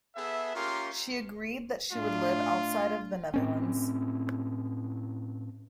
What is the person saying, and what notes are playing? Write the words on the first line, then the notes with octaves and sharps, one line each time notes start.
She agreed that she would live outside of the Netherlands.
B3 G#4 A4 E5
A#3 C#4 F4 G4 A#4 C6
A2 A3 D4 F4
A2 C4 C#4